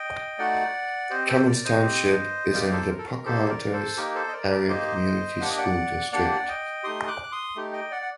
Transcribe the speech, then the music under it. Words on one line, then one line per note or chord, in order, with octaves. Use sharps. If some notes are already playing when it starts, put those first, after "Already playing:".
Cummins Township is in the Pocahontas Area Community School District.
Already playing: D#5 G5
A3 D#4 F#4 D5 F#5
C4 G4 C5 D#5
A4 C5
A#4 D5
C5 D#5
C4 G4
A#3 D#4 G4 A#4 D5
A4 C5
A#4
A4
A#4
A#3 D#4 G4 A4 C5
A#4 D5
A4 C5
A#3 D#4 G4 A#4
A4 C5
D#5
A#4 D5
A#4 D5
A#3 D#4 G4 C5 D#5
A#3 D4 G4 F#5
D#5
D5 F#5
A#3 D4 G4 D5 F#5
D#5 G5
A3 D#4 G4 C6 D#6
D6 F#6
F#6
C6 D#6
A3 D#4 G4
D#5 G5
D5 F#5
F#5